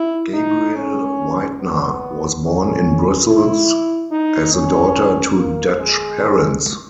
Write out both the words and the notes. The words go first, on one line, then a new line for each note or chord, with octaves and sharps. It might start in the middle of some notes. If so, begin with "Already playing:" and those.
Gabrielle Weidner was born in Brussels as the daughter to Dutch parents.
Already playing: E4
D#4
C#4
B3
C#4
E4
D#4
C#4
A#3
G#3